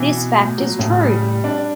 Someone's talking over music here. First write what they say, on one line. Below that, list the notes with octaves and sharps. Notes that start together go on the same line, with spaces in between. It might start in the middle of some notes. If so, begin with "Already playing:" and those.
This fact is truth!
Already playing: B2 E3
B3
A2
F#3
A2 C#3
G3
G3
D4